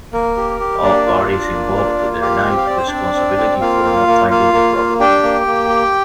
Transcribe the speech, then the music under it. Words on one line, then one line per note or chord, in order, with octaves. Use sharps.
All parties involved denied responsibility for not finding the problem.
A#3 A#4
G4
G4
A#3 D4 D5
F4
F4
A#3
F4
A#3
F4 G4 F5
C4
F5
C4 D5
C5
C4 D4 D5
C4
C4
A#3 F4 F5
A#3
A#3
A#3 F4 F5
A#3
A#3
D4 G4 G5
A#3
A#3
G4